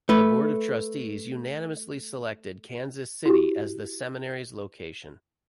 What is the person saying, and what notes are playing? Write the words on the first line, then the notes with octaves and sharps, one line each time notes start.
The Board of Trustees unanimously selected Kansas City as the Seminary's location.
A3 B4
E4 F#4 G4